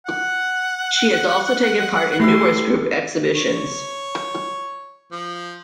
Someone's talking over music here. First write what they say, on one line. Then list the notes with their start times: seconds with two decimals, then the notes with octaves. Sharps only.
She has also taken part in numerous group exhibitions.
0.06 F#5
2.20 A3 E4 G4 A4 C6
3.35 C#5
5.12 F3